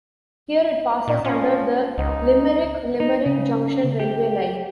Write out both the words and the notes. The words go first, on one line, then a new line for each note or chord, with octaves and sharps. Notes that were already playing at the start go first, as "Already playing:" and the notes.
Here it passes under the Limerick-Limerick Junction railway line.
A#2 D#3
F3 C#4
C#2 D#4
D#4
C#3
G4